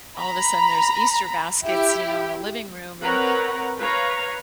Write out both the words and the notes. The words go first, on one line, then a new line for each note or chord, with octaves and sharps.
all of a sudden, there's Easter baskets, you know, in the living room, and
A#5 B5
E4 G4
C4 A#4 B4 C#5 F#5 A#5
B4 C#5 F5 A#5